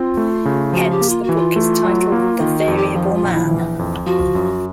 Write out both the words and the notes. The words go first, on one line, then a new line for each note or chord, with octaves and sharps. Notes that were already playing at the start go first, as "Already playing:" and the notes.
Hence, the book is titled "The Variable Man".
Already playing: C4 F4
A3
C#3
F3 F#4
G4
A#3
F4
F#4
E3
F4
A3
F#3
A#3
D#3 F4
F#4
F2
G4
F3 F4
F4
A#1
E4
E3
F2
F3 F#4
F#2